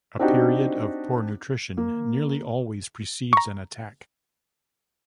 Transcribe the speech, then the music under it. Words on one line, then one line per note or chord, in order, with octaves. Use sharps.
A period of poor nutrition nearly always precedes an attack.
C4 D4 D#4 F#4 G4
A#3
A#5 C#6